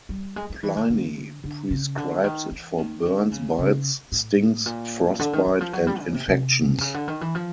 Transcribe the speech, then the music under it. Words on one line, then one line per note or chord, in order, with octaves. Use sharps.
Pliny prescribes it for burns, bites, stings, frostbite and infections.
G3
G#3
G#3
E3
D3
D3
D3
C#3
D3
D#3
E3
D#3
D3
C#3
C#3
A2
A#2
D3
D#3
E3
F3
F#3
G3
C#3
C3
C3
C#3
D3
D#3
E3
F3